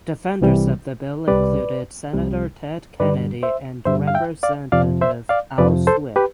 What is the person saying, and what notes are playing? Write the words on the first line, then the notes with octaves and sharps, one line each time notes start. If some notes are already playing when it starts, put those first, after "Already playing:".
Defenders of the bill included senator Ted Kennedy and representative Al Swift.
C2 C3 E3 G3
C2 C3 G3 B4 D5
C2 C3 G3
G2 D3 G3 B4 D5
C5 E5
G2 D3 G3 C5 E5
F5
E5 G5
D5 F5
F2 C3 F3 D5 F5
C5 E5
D5 F5
F2 C3 F3 B4 D5
A4 C5
G4 B4